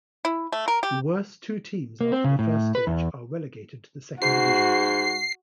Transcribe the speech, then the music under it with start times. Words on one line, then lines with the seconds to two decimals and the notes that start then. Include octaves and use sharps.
The worst two teams after the first stage are relegated to the second division.
0.25 E4
0.52 A3
0.68 A#4
0.83 G4
2.01 A#3
2.12 C4
2.24 C#3
2.39 A2
2.75 B4
2.87 E2
4.22 G#2 F#4 C7